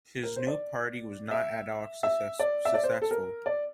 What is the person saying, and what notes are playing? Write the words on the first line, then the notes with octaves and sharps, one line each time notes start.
His new party was not at all successful.
A#4
C5
D5
E5
E5
D5
E5
D5
C5
A4
A#4
D5